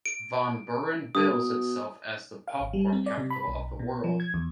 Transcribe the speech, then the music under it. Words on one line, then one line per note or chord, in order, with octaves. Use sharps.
Van Buren bills itself as the Popcorn Capitol of the World.
D7
G2 D#6
B2
F5
G#1
G3
C4
D5
C3
B5
B1
B2
F3
G#6
E2